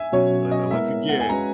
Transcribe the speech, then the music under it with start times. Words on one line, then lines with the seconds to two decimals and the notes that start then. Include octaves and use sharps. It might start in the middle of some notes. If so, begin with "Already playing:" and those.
But a once again
Already playing: E5 G#5
0.12 B2 F#3 C#4 F#4 C#5
0.51 D#5
0.71 G#3 B3 E4 A#4 E5
1.09 F#5
1.20 G#5
1.29 G#3 C#4 F#4 B4 A#5